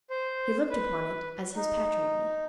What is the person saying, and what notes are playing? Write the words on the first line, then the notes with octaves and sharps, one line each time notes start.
He looked upon it as his patrimony.
C5
B4
D#4